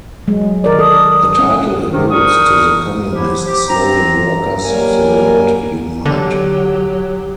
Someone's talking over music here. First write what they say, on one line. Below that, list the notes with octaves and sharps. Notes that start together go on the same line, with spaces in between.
The title alludes to the communist slogan Workers of the world, unite!
F#3 G#3
D#3 A#4 D5
A4 D#6
C#4
C3 D#3
D4 D#4 A#4 C#6 D#6
F3 F#3 B3 E4 G4
F3 G4
C4 A#5
F#3 G3 A#3 A#4 G#5
E1 D3 F#3 G4